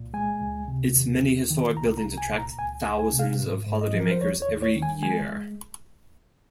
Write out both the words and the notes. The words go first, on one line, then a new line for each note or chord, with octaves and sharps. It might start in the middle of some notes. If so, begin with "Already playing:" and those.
Its many historic buildings attract thousands of holidaymakers every year.
Already playing: C2 A#2
G#3 G#5
C#2
C3
D#2
D#2
D#3
C2 A#5
A#5
C2
G#5
A#2
A#5
C#2 G#5
C#2
G#5
C3
F5
G#2
G#2
D#5
F3
A#4
C5
D#2 C#5
C#5
D#2
C#5
D#3
G#5
G#3 G#5